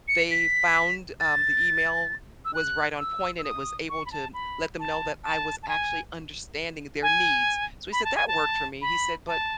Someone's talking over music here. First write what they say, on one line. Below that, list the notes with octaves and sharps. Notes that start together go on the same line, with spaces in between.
they found, um, the email was right on point and it was able to let them know that I was actually understanding their needs". So he said, "That worked for me." He said, "But,
C#7
B6
A6
E6
F#6
E6
E6
D#6
C#6
B5
A5
B5
A5
A5
A5
G#5
G#5
B5
A5
G#5
A5
B5
A5